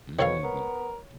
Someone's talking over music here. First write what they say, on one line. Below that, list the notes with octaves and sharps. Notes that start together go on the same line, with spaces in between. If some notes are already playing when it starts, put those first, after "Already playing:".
Mhm, we
B2 D#3 A4 C#5 F5
B3 A#4